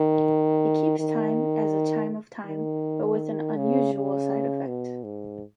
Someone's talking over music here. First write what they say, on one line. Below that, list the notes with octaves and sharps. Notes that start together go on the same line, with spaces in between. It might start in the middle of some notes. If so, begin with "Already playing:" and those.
It keeps time as a chime of time but with an unusual side effect.
Already playing: D#3
D#3
D#3
C#3
C#3
B2
G#2